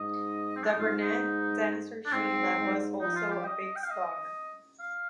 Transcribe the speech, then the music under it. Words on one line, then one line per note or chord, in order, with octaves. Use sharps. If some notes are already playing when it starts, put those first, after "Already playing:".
The brunette dancer, Scheila, was also a big star.
Already playing: G#2 D#5
C4
D4
D#4
G#2 F4
D#4
D4
G#2 C4
G#2
F3 D#4
F4
G4
D#5
G5
F5
D#5
F5